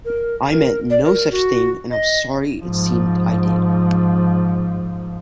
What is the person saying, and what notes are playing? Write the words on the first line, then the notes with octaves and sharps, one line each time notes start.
I meant no such thing, and I'm sorry it seemed I did.
A#4
A#4
D5
A#4
F#4
D#5
G#2 F3